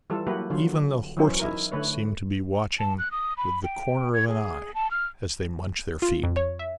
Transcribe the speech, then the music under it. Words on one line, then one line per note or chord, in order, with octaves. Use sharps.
Even the horses seem to be watching with the corner of an eye as they munch their feed.
E3 G3 F4 A4
F#3 A#3 E4 F#4 G4 B4
D3 F#3 F4
E3 F#3 C#4 C5
D#4 E4 A#4
D3 A3 B4 C#5
A5
F#6
D#6
B5
G5
G#6
G#4
A5
F6
F4
F2
C#5
E5